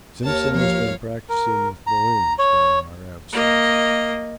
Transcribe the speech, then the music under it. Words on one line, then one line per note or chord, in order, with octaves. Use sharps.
Simpson has been practising with balloons during our absence.
D#2 A#4 C#5 A5
F3 C#5 F5
A#4
A#5
C#5
A#3 D#5